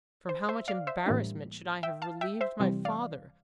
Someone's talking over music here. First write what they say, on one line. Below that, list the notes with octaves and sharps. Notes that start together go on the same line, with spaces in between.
From how much embarrassment should I have relieved my father!
C5
C5 E5
D5 F5
C5 E5
A2 E3 G3 A#3 D4
E5 G5
F5 A5
E5 G5
C5 E5
C3 E3 G3 C4
D5 F5